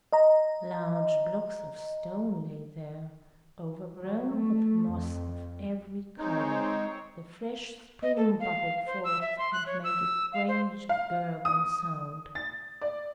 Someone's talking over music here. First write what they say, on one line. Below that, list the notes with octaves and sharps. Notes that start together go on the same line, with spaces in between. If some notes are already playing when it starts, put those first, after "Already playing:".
Large blocks of stone lay there, overgrown with moss of every color; the fresh spring bubbled forth, and made a strange gurgling sound.
D#5 A#5
F#3
A3
F2
G#3 C4 D#4 C#5
D#5
A4
F5
C5
E6
E5
C6
F#6
C#5
E6
F5
C5
F5
D#6
A6
D5